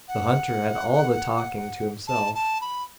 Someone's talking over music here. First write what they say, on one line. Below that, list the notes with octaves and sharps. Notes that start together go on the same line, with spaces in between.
The hunter had all the talking to himself.
F#5
A5
A5
B5